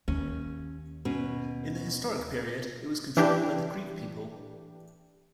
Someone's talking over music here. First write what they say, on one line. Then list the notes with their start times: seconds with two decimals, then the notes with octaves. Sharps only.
In the historic period, it was controlled by the Creek people.
0.08 D#2 C#4
1.05 B2 C#4
3.17 E3 D4 G4